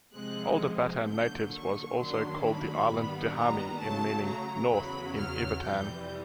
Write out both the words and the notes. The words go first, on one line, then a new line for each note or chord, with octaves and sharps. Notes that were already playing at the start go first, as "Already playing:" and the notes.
Older Batan natives was also called the island Dihami, meaning ""north"" in Ivatan.
C3 F3 G#3 C4 F#6
D3 F#3 A#3 G6
C#6
F#2 D#3 F#3 A#3 D4 C6
B5
G2 D#3 G3 B3
A#5
C#3 F#3 A3 A5
A#5
E2 C#3 F#3 B5
F6
F2 C3 E3 G3 G6